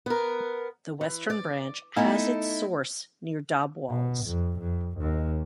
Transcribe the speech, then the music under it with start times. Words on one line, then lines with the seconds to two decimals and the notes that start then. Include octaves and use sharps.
The western branch has its source near Dobwalls.
0.06 B3 A#4
1.01 E3
1.30 D5
1.97 A3 B3 D#4 E4 A4
3.90 B2
4.26 F2
4.60 F2
4.99 D#2